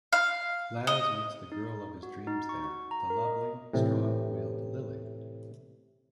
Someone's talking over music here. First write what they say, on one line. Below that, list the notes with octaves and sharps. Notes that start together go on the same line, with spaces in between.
Laz meets the girl of his dreams there, the lovely, strong-willed Lily.
F5
D#5
D#4
F#4
D#4
C#6
F#4
A#5
A#4
D#5
A2 C3 E3